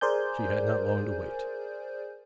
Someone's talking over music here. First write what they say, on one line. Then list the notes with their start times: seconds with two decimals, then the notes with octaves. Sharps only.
She had not long to wait.
0.01 G#4 A#4 C5 D5 G#5 G6